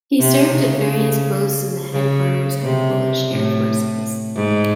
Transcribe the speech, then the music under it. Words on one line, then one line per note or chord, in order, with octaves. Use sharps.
He served at various posts in the Headquarters of the Polish Air Forces.
C3
C#3
C#3
C3
A2
G#2